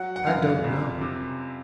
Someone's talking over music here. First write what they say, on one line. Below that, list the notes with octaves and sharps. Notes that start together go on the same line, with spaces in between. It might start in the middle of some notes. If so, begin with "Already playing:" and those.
I don't know.'
Already playing: F#3 F#5
F#5
F#2 F5
F2
C3